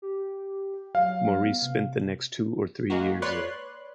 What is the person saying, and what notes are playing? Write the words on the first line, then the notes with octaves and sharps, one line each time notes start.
Maurice spent the next two or three years there.
G4
F#3 F5
B3
C3
G#3 A#3 F#4
B4 C#5 D5 C6 F#6